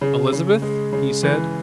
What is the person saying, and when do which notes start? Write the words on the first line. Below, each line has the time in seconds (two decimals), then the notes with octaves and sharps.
"Elizabeth?" he said.
0.01 C#3
0.33 C#3
0.62 G#3
0.93 C#3
1.23 E3